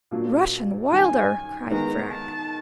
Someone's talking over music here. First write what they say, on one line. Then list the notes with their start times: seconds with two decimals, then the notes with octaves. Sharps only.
"Rush & Wilder!" cried Frank.
0.11 A#2 F#3 A#3 D4 F4
0.91 F#2 D#3 G3 G#5
1.71 D#3 G#3 B3 A#5
2.11 A5